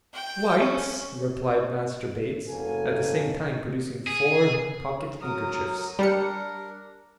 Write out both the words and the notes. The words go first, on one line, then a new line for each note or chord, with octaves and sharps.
'Wipes,' replied Master Bates; at the same time producing four pocket-handkerchiefs.
G5
C#4
F#1 A#3 B3 C#4 A4 G#5
G#4
F#3 A#4 D#6
G3 D4 A#4 C#7